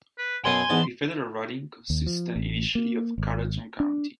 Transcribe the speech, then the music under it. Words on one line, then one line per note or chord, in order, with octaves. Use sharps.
The federal riding consisted initially of Carleton County.
B4
F#2 B2 B3 G#5 C6
E2 G#2 B3 A5
D#2
F3
A1
A#3
G#1
D4